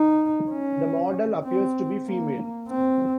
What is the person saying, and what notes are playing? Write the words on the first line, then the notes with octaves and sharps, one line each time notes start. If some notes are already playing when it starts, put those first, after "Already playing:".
The model appears to be female.
Already playing: D#4
C#4
C4
A#3
C4